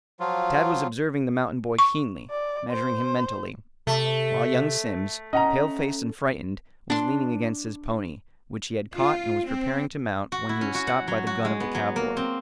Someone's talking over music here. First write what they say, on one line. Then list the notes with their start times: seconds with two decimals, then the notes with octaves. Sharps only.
Tad was observing the mountain boy keenly, measuring him mentally, while young Simms, pale-faced and frightened, was leaning against his pony, which he had caught and was preparing to mount when he was stopped by the gun of the cowboy.
0.20 F3 F#3 F4
1.79 C#6
2.31 D5
2.71 C5
3.87 C3 A3
5.33 C#4 D#5 F#5 A#5
6.90 D4 C6
8.94 F4
9.46 C4
10.32 F#4
10.49 E4
10.61 C#4
10.75 F#4
10.87 F#5
11.08 F#3
11.27 F#4
11.45 G#3
11.60 B3
11.75 F#3
11.96 A#3
12.17 C4